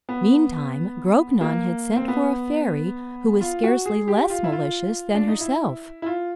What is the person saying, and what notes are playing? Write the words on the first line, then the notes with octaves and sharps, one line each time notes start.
Meantime, Grognon had sent for a fairy, who was scarcely less malicious than herself.
B3
A#3
C4
B3
F4
F#4
G#4
G4
F4
E4
F4
D4
D#4
E4
E4
F4